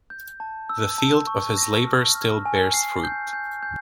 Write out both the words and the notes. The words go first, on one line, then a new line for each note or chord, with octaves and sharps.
The field of his labor still bears fruit.
G6
A5
E6
A5
C#6
A#6
F6
F6
G#5
C7
G6
G6
G6